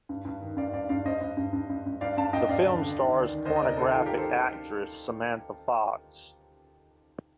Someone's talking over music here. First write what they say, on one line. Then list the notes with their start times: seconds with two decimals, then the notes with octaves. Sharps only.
The film stars pornographic actress Samantha Fox.
0.09 G2
0.25 G2
0.41 D#3
0.57 G2 D5 F5
0.73 G2 D5 F5
0.89 G2 D5 F5
1.05 G2 C5 D#5
1.21 G2
1.37 G2
1.53 G2
1.69 G2
1.86 G2
2.01 G2 D5 F5
2.17 G2 F5 A5
2.33 G2 D#5 G5
2.49 G2 D5 F5
2.66 D3
2.82 D3
2.98 D#3
3.13 D2
3.29 D#3
3.46 D2 C5 D#5
3.56 D#5
3.62 C3 A#4 D5
3.77 C3 A4 C5
3.93 D#3 F4 A4
4.06 G4 A#4
4.10 D#3
4.17 A4 C5